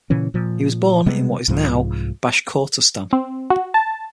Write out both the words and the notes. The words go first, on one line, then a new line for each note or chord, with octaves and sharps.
He was born in what is now Bashkortostan.
A#2 C#3 E3 C#4
A#2 F3
C3 G3 G#3 B3
C2 G#2 F3
C4
F#4
A5